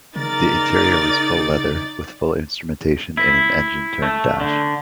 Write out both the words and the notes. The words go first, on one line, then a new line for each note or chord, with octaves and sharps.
The interior was full leather, with full instrumentation in an engine-turned dash.
C#3 D#4 A#4 D5 A6
E4
A3
D3